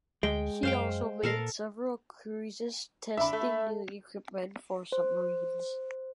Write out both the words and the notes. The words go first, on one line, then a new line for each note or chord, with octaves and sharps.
She also made several cruises testing new equipment for submarines.
D2 G#3 G5
F#2 C5 F5 G5
A#2 A4 A#4 F5
D3 D4 E5 B5
A3
C5